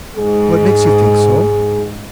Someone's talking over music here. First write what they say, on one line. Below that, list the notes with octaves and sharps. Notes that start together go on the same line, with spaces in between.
"What makes you think so?"
G#2 G#4